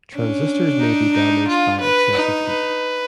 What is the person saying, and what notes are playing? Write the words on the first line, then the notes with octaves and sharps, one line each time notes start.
Transistors may be damaged by excessive heat.
C#4 D4
D#4
D#4
F4
B4
D#4
B4